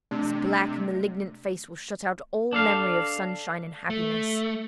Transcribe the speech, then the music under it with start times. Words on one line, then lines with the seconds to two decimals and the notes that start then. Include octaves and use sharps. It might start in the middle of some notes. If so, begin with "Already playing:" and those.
His black, malignant face will shut out all memory of sunshine and happiness.
0.11 C3 A3 D4
2.53 D4 A4 F5
3.90 A3